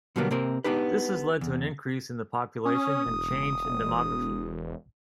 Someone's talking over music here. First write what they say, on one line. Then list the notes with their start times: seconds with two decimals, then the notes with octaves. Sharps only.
This has led to an increase in the population and change in demography.
0.16 B2 D3 F#3 G3 A#3 B3
0.31 C3 A#3 C4 A#4
0.64 B3 D4 D#4 G4 B4
1.41 E2
2.65 C#4 D#6
3.06 E1